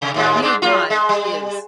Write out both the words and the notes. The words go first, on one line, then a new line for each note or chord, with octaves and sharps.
Nearby is.
C3
D#2 A2 G#3
G#2 G#3 D4
F#3 F4
G#3
G3